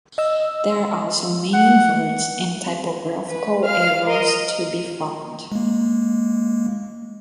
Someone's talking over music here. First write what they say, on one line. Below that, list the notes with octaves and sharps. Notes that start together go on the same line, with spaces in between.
There are also many inverts and typographical errors to be found.
D#5 E6
F#5
B4
F5 F6
A#4 D#5
G#3 A#3